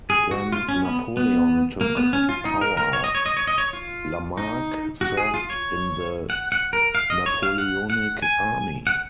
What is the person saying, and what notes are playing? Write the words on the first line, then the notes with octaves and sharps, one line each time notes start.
When Napoleon took power, Lamarque served in the Napoleonic army.
G#4
F#4
F4
C#4
B3
B3
A#3
B3
C#4
F4
D#4
A#4
A#4
C#5
D#5
C#5
D#5
C#5
D#5
C#5
F4
D#4
F#4
G#4
F4
C#5
F#5
F#5
A#4
F5
D#5
C#5
F5
F#5
F#5
G#5
F#5